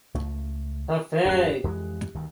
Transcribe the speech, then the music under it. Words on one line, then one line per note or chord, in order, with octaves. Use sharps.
The Fig.
C#2 A3
D1 F#2 C#4 G4 F#6
F2 E3 G#3
D2 G2 D#3